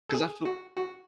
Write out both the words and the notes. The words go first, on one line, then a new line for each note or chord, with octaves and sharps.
'Cause I feel
A4
G#4
F#4
F#4